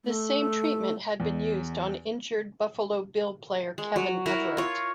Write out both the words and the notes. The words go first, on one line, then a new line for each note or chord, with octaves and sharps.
This same treatment had been used on injured Buffalo Bill player Kevin Everett.
A3
E2
G#3
F#3
E4 F#4 A#4
F4 C#5